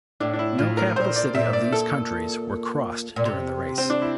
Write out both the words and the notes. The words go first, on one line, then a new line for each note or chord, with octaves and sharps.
No capital city of these countries were crossed during the race.
A2 D4
D4
E4
A2 F4
A#4
A#2 C5
D5
A#2 E5
D5
A4
A#2
C3
C4
D4
E4